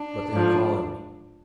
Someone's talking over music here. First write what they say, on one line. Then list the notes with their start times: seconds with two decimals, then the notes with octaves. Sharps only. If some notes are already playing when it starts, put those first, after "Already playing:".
But they are calling me.
Already playing: D4
0.31 G#2 F3